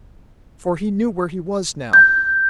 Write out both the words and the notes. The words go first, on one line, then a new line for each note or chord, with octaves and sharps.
For he knew where he was now.
G6